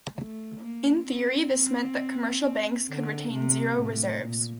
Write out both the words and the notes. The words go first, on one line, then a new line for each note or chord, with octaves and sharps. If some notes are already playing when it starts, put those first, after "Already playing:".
In theory this meant that commercial banks could retain zero reserves.
A3
A#3
C4
D3
C3
A2
A#2